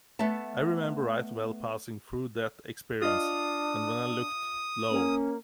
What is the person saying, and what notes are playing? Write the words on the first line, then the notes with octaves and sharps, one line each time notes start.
I remember right well passing through that experience; and when I looked, lo!
A3 B3 E5 A5
D4 F4 D#5 D#6
A#3 C#4